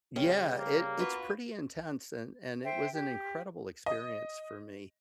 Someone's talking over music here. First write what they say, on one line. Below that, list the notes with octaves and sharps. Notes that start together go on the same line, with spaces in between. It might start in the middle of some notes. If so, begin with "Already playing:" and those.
Yeah, it, it's pretty intense, and and it was an incredible experience for me.
C#3 G3
A#3
F4 F#4 B4
C5 E5 G5
G4
D#5